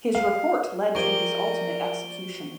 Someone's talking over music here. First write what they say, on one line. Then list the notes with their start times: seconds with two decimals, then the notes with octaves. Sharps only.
His report led to his ultimate execution.
0.15 F5
0.95 F3 G4 G#4 A#4 D5 C#6 D7 G7